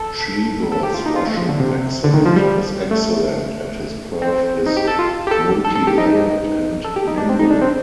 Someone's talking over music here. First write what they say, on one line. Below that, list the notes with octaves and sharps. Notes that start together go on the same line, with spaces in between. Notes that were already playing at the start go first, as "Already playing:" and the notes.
Trebor's Russian accent is excellent, and his perf is multilayered and nimble.
Already playing: A4
A4
G4
F4
D#4
F4
A3
F3
D3
C3
D3
D#3
F3
G3
A3
C4
D#4
G4
A4
F4
G4
A4
A4
A4
G4
D#4
A4
G4
D#4
D4
C4
D#4
D4
C4